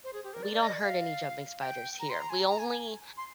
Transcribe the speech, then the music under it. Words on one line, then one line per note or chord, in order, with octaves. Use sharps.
We don't hurt any jumping spiders here. We only
C5
G#4
G4
A#4
D5
D5
D#5
D5
F5
G5
A#5
C6
A#5
G#5
A#5
A#5
G#5
G#5
C6